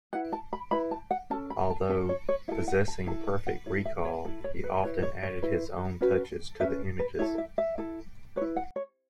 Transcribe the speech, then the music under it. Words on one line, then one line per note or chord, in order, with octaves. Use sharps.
Although possessing perfect recall, he often added his own touches to the images.
E4 B4 F#5
A5
B5
E4 B4 B5
A5
F#5
C#4 A4 A5
B5
A5
C#4 A4 E5
C#5
C#5
E4 A4 E5
F#5
A5
E4 A4 A5
A5
F#5
E4 A4 C#5
E5
C#5
E4 A4
C#5
B4
E4 B4 C#5
C#5
C#5
E4 B4
C#4 F#4 B4
C#4 F#4 B4 E5
B4
E4 A4 C#5
E5
E5
E4 A4
B4 C#5
E4
F#5
C#5